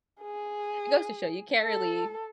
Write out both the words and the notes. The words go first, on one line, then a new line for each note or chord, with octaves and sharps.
it goes to show you can't really
G#4
A4